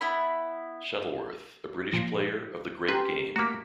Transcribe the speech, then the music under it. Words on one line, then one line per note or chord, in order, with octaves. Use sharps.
Shuttleworth a British player of The Great Game.
B3 E4 B5
A#2 F3 A#6
C#4 G4 B4 G5 A#5 C6
A3 A#3 F#4 A#5 D6 B6